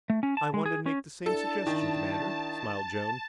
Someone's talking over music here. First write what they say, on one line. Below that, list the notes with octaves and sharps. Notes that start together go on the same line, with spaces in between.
"I wanted to make the same suggestion, Commander," smiled Joan.
A3
C#4
A5
G#3
G#4
C#4
D4 E4 A4 A5
D#3